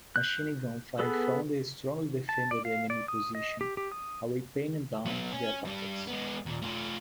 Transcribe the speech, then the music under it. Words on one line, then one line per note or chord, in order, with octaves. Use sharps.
Machinegun fire from the strongly defended enemy position away pinned down the attackers.
F#6 G6
B3 G#4 A4 B4
A5
D5
F5
D5
D#6
D#5
G4
G4
D#6
F#3 B3
C#4
G2 G3
G#3 B3
D#2 A#2
A3 F4